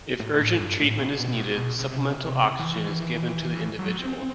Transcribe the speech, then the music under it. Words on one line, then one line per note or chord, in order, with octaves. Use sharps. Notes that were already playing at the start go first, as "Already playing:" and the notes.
If urgent treatment is needed, supplemental oxygen is given to the individual.
A2
G2
A2
B2
C3
E3
F#3
C4